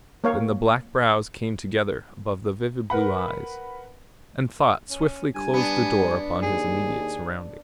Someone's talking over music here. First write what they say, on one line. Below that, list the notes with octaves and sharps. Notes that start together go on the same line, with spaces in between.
Then the black brows came together above the vivid blue eyes, and thought swiftly closed the door upon his immediate surroundings.
A#3 C#5 F5
A#4 B4 F#5 B5
C#4
G2 G#5
B3 D4
D#2 G#4